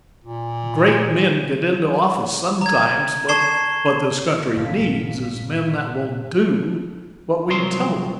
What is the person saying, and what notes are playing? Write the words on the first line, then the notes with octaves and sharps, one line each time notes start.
Great men get into office sometimes, but what this country needs is men that will do what we tell them to do.
A#2
A#5 G#6
A5 C#6 G#6 C7 E7 G7
A1 G2 A#2 D3 F5 B6
C2 F3 F#3 A#4 C5 C6